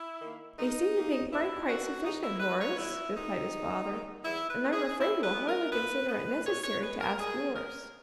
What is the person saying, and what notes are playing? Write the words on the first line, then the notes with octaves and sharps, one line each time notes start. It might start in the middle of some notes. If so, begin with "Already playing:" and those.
"They seemed to think mine quite sufficient, Horace," replied his father, "and I'm afraid will hardly consider it necessary to ask yours."
Already playing: E4
D#3 A#3
G#2 D#4
D#3 A#3
G#2 E4
D#3 A#3 F#4
E2 D#4
E4
D#3 G#3 B3 B4
C#5
E2 E4
D#3 G#3 B3 D#4
E2
D#3 G#3 B3
E2 E4
B4
D#3 G#3 B3
G#4
A#2 E4
B4
G#3 B3
A#4
A#2 B4
G#3 B3 B4
A#2 C#5
C#5
G#3 B3 B4
A#4
A#2 G#4
G#3 B3 A#4